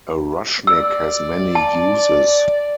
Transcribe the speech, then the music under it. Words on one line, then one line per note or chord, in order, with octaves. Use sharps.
A Rushnyk has many uses.
D5 E6
A5